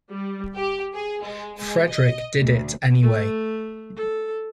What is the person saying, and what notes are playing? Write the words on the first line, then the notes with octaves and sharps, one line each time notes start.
Frederick did it anyway.
G3
G4
G#4
G#3
G#3
D#5
D2
A3
A4